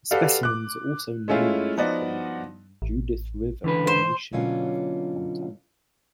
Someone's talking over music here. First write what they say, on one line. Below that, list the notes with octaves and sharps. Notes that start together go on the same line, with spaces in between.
Specimens are also known from the Judith River Formation of Montana.
F#4 G4 A4 B4 D5 F5
D6 F#6
G#3 A3 C#4 E4 F4
F3 B3 D#4 F#4 D5
A1
C#2 D3 E3 B4
C5
B2 D3 F#3 A#3 C#4 F4